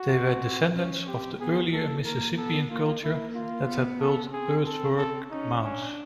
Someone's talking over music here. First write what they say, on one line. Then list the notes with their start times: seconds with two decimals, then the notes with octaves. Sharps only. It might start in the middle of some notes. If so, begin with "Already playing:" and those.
They were descendants of the earlier Mississippian culture that had built earthwork mounds.
Already playing: F#4
0.10 C4
0.75 C#4
1.07 C4 G4
1.40 B3 G#4
1.73 A#3 A4
2.05 A#3 A#4
2.37 B3 A4
2.70 A#3 F4
3.03 A#3 E4
3.35 F4
3.67 B3
4.00 A4
4.33 C4 G#4
4.66 A4
4.98 A4
5.30 C#4 D#4
5.63 C#4 D4